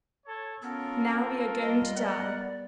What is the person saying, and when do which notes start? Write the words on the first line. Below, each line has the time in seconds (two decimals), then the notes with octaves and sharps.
"Now we are going to die."
0.26 A4 C#5
0.62 B3 C#4 F4 A4 A#4
1.09 C4
1.62 G3 B3 D#5
1.96 A#4 D5 F#5